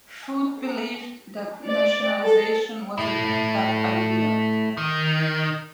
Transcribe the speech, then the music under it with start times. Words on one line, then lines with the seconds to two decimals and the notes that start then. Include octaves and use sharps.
Foot believed that nationalization was a bad idea.
1.68 D5
2.22 A4
2.98 A3 E4
4.77 D#3